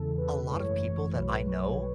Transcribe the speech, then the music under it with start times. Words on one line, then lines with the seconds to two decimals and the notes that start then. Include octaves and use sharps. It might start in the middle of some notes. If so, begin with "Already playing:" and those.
A lot of people that I know,
Already playing: E2 C#3 E3 G#3 A4
0.18 B4
0.50 G#1 F#2 E3 A3 C#5
0.83 C#5
1.15 B1 B2 F#3 A3 B4
1.47 C#5